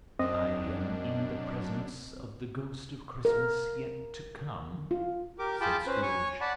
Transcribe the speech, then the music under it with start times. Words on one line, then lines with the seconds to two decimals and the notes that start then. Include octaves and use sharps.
"I am in the presence of the Ghost of Christmas Yet To Come?" said Scrooge.
0.19 F#2 C4 D4 D#5
3.25 A#4
4.91 F4
5.39 G4 A#4 D6
5.61 F4 G#4 G5 A5 B5 D6
5.87 C#4 B4 C5
6.02 C#5 G#5 C#6
6.41 D5 F#5 A5 B5